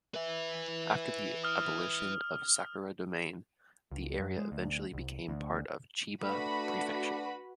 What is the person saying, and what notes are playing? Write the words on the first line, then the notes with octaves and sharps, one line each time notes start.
After the abolition of Sakura Domain, the area eventually became part of Chiba Prefecture.
B4 E5
D#6 F6
C#2
F#2
G#3
D2
C2
D2
A3 D4 F#4 B4 B5